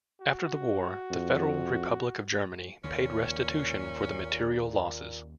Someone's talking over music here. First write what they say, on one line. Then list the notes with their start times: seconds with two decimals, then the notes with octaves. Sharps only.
After the war, the Federal Republic of Germany paid restitution for the material losses.
0.21 F#4
1.10 F2
2.84 D#2 A#2 C#3 C#4